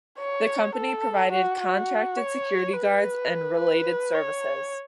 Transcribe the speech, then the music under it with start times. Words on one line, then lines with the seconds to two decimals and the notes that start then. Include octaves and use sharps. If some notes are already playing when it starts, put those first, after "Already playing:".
The company provided contracted security guards and related services.
0.19 C#5
0.75 A4
1.32 F#4
1.60 F#4
2.17 C#5
2.73 B4
3.58 B4
4.14 C#5